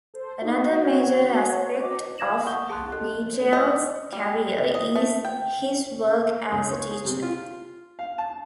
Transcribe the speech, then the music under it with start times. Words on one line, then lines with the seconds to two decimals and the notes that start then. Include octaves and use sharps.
Another major aspect of Guettel's career is his work as a teacher.
0.14 A4 C5
0.42 D#4 F#4 F5
0.83 C#5
1.81 D#5 D6
2.18 C5 F5 G#6 A#6 E7 F#7
2.46 F#5 C#6 D#6 G6 G7
2.69 G#4 A5 C6 F#6
2.92 G4 A4 D#5 F#6
3.53 D#5
4.13 G3
4.75 D#5
4.95 A3
5.25 G5
6.52 C#2
6.70 C#4
6.91 G#4
7.05 C3
7.22 F4
7.99 F5
8.18 A5